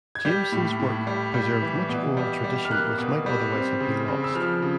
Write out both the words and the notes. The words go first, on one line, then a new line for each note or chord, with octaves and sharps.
Jamieson's work preserved much oral tradition which might otherwise have been lost.
G#6
G3 G6
A2
A2
G3
G3
E3
B2
G3
G3
F6
A#3 F#6
B2
G3
C4
C#3
C#3
E6
F3 F6
C#3